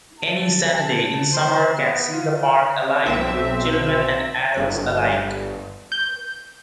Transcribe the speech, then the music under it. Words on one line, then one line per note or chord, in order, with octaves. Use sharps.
Any Saturday in summer can see the park alive with children and adults alike.
A5
C5
B3
F4
B1 C4 E5
G1
G6